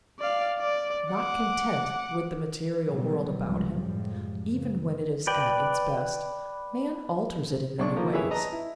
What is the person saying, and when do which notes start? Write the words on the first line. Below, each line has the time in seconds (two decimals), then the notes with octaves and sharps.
Not content with the material world about him, even when it is at its best, man alters it in many ways.
0.19 D5 F5
0.59 D5
1.12 F#5 D6
2.89 B2 D3 E3 F#3 G3 B3
3.38 C#2 G#2 C3 F3 G3 A3
3.78 F#2 A2 F3 G3 G#3
4.48 C#3
5.27 B4 D5 G5
7.79 B1 D4 C#6
7.96 F3 A#3
8.12 E4 G4 G#4 B4 C#5 E5
8.31 B4 D#5 A5 A#5
8.52 E4